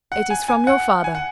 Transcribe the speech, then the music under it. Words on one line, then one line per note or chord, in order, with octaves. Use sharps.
"It is from your father."
F#5
G#5
G#5
F#5
G#5
F#5